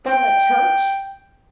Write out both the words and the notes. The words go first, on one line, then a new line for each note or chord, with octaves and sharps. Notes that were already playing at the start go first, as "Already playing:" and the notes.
From the church?
G5